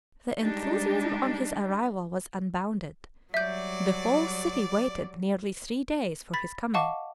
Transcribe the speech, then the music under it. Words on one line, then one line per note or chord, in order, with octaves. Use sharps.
The enthusiasm on his arrival was unbounded. The whole city waited nearly three days for his coming.
G3 G#3 D4 D#4 G4
F#3 G3 D5 E5 G6
B5 A6 B6
D#5 F5 F#5 A5 C#6 D6